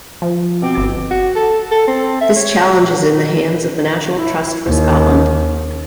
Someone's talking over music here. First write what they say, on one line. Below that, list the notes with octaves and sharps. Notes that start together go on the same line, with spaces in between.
This challenge is in the hands of the National Trust for Scotland.
F3
B2 C4 D6
G1
F#4
A4
A4
C4
E5
C#5
E4
D#2